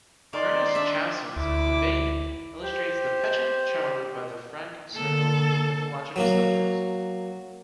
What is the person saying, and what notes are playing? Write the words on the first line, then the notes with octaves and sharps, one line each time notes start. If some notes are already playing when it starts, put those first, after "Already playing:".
Ernest Chausson's "Vivane" illustrates the penchant shown by the Franck circle for mythological subjects.
D#3 D5 C6
D4 E5
D2 E4 D6
G4 C5
D3 A#3 A4
F#3 A#3 F#4